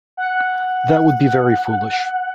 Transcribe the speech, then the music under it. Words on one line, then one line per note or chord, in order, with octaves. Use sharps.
That would be very foolish.
F#5